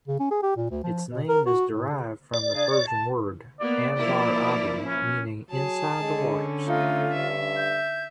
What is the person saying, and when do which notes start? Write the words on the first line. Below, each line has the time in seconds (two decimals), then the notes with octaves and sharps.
Its name is derived from the Persian word "Andar-abi" meaning "Inside the waters".
0.08 C#3
0.20 C#4
0.31 G#4
0.43 G4
0.56 A#2
0.70 D2
0.84 F3
1.11 B2
1.28 A#4
1.46 F#4
1.72 A2
1.91 C#3
2.34 D5
2.54 C#3 D4 G#4
2.70 C#5
2.87 A5
3.61 A#3 B3 D5
3.98 F3 A#3 E4
4.86 C#4
5.50 F#3 G#4 A5
6.01 D3 G#3 C#4
6.67 A3 D#4 F4
7.12 G2 E5
7.57 G6